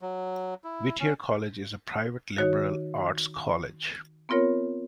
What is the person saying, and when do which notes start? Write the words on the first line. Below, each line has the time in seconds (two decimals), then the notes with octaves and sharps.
Whittier College is a private liberal arts college.
0.01 F#3
0.64 E4
1.00 C#4
2.38 D#3 D#4 F#4 C#5
4.29 B3 C4 F4 A#4 C#5